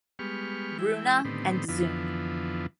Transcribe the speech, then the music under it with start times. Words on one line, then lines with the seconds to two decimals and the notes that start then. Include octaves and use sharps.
Bruna and Zoon.
0.19 G3 G#3 B3 G4 C#6 F6
0.79 E3 G#3 E4 G5
1.25 A2 D3 D#3 B3 C4 G4
1.68 F2 D3 E3 F3 B3